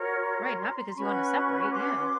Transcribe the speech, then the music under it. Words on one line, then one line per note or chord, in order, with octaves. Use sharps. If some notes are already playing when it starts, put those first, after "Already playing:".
Right, not because you wanna separate. Yeah.
Already playing: F#4 A#4 C#5
A#5 C6
C#4 F#4 B4 B5 C#6
C6 D6